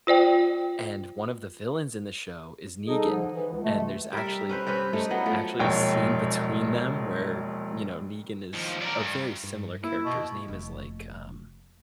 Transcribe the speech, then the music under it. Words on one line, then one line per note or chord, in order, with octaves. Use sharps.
and one of the villains in the show is Negan and there's actually there's actually a scene between them where, you know, Negan is a very similar character. His name is like, um,
F4 C5 D5 G5
G3 D#4 G#4 A4 D#5
D3 F3
E3
C#2
C3 G#3 A3
G3 A#4 E5
C#4 B4 C5
G2 C#4 B4 C5
A3 D#4
F#3 B3 E4
F3 A3
E1 A#1 C#5 G5
D#2 F3
D4 A#4
G2
G2
A#3 E4
B2
F1 A#3